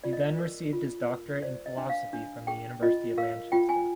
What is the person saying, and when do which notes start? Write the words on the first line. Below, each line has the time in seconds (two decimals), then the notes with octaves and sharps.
He then received his doctorate in Philosophy from the University of Manchester.
0.04 F4 D5
0.13 D#5
0.23 D5
0.39 A#4
0.73 F4
1.09 A#4
1.42 C5 D5
1.66 D#5
1.77 D4
1.89 F5
2.13 D4
2.47 G#4 G5
2.82 F4 D#5
3.18 A#4 F5
3.52 F4 G5
3.69 G#5